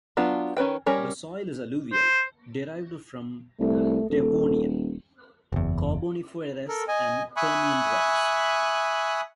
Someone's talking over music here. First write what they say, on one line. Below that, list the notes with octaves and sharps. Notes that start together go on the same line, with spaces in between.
The soil is alluvial, derived from Devonian, Carboniferous and Permian rocks.
F#3 B3 D4 F4
D#3 C#4 B4 G5
G3 C#4 A#4 C#5
C5
C2 A3
D#1 A4
F#1 E2
A4 A#4
D#5 G#5
E5 G#5 B5 C#6 D#6 F#6